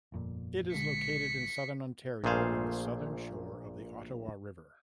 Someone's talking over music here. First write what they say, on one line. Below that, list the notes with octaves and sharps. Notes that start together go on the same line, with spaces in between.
It is located in Southern Ontario on the southern shore of the Ottawa River.
G1 F2 A#2
A#1 D3 G#3 B6 C#7
A#1 A#2 A3 G#4 C5 F5